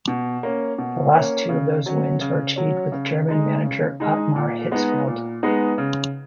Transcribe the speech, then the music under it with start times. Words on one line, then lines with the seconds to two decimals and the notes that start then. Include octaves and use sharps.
The last two of those wins were achieved with German manager Ottmar Hitzfeld.
0.08 B2
0.43 A#3 C#4
0.78 B2
1.14 A#3 C#4
1.49 C#3
1.86 F#3 C#4
2.21 C#3
2.56 F#3 C#4
2.92 C#3
3.28 G#3 D#4
3.64 C#3
4.00 G#3 D#4
4.36 A#2
4.71 G#3 B3 D#4
5.07 A#2
5.43 G#3 B3 D#4
5.78 C#3